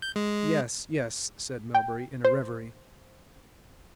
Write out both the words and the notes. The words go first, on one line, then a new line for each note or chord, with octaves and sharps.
"Yes, yes," said Melbury, in a reverie.
G6
G#3
G5
C5